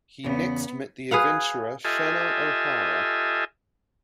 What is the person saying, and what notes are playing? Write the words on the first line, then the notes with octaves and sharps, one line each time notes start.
He next met the adventurer Shanna O'Hara.
E2 C#3 B3
G#4 B4 F5 F#5
F4 G4 A4 D#5 E5 G#5